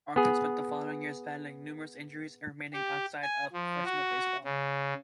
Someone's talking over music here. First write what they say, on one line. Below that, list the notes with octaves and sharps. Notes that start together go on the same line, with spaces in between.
Elarton spent the following years battling numerous injuries and remaining outside of professional baseball.
B3 G#4
G4
G#5
F3
F#4
C#3